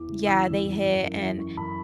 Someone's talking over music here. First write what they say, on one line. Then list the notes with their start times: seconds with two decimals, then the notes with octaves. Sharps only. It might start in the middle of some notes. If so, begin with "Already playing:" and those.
Yeah, they hit and, uh,
Already playing: E2 E3 D6
0.08 C#3
0.27 E2 E6
0.46 E3
0.65 E2
0.82 F#2
1.02 F#2
1.20 E3
1.39 E3 C#6
1.57 F#2 B5